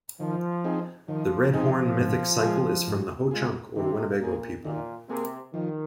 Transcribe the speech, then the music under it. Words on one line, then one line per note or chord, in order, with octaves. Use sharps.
The Red Horn Mythic Cycle is from the Ho Chunk, or Winnebago people.
D#3 F3
C4 D#4 G#4
D#3 F3
C4 D#4 G#4
G#2
G#3 F4 G#4
G#2
G#3 F4 G#4
C3 D#3
A#2 A#3 G#4
A#2 D#3
C3 A#3 G#4
D#3 F3